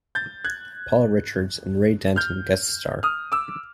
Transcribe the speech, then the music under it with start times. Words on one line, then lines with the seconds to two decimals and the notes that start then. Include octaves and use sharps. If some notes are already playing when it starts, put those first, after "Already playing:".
Paul Richards and Ray Danton guest star.
0.15 G6 A6
0.45 F#6 G#6
2.16 F6 G6
3.03 D#6 F6
3.32 D6 E6